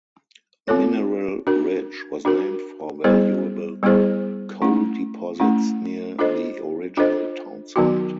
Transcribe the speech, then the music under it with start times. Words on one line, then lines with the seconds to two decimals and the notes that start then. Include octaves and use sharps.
Mineral Ridge was named for valuable coal deposits near the original town site.
0.68 C4 F4 A4 C#5
1.47 D4 F#4 A#4
2.25 D4 F#4 A#4
3.04 G3 B3 E4 G#4 C5
3.83 G3 B3 E4 G#4 C5
4.62 A3 C#4 E4
5.40 A3 C#4 E4
6.19 D4 F4 A4 C5 D#5
6.97 D4 F4 A4 C5 D#5
7.76 D#3 F#3 B3 D#4 F#4